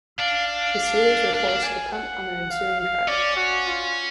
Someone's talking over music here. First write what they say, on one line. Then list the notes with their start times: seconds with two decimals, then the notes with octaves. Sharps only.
The Steelers were forced to punt on their ensuing drive.
0.18 D4 F5
0.48 F5
1.34 D4 F5
1.49 D4
1.63 G#5
1.92 F#5
2.51 F5
2.80 F5
3.08 C#4 D5
3.37 F#4
3.67 F4